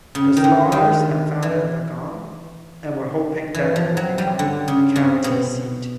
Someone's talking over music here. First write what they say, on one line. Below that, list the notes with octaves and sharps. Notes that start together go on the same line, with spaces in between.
The Slaughters had founded Ligon and were hoping that it would become county seat.
C#3
D#3
D3
D#3
E3
E3
F3
F#3
G3
D3
C#3
C3
B2